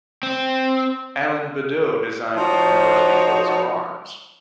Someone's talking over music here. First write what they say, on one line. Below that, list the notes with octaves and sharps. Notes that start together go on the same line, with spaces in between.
Alan Beddoe designed the university coats of arms.
C4
F3 D#4 F#4 C5 C#5